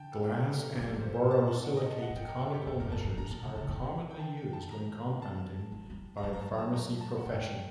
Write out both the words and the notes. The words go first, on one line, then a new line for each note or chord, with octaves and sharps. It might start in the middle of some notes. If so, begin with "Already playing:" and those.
Glass and borosilicate conical measures are commonly used when compounding by the pharmacy profession.
Already playing: D3 G5 A5
A4
G4
A#4
A4
A#4
F#3 G4
A4
A2
C5
C5
A5
A5
F#5
D#5
A5
F#5
A2
G2 G5
A#4
A4
G4
F#2 A4
F#2 A#4
G2 A5
G2 A5
A2 A#5
A#2 A5
C3 F#5
D3 A5
D#3 G5
F#5
G5
A5
G5
A5
A#5
A5
F#3
G3
A#5
F#3 A5
A#5
A5
A5
A#5
A5
F#5
D#3 G5
G5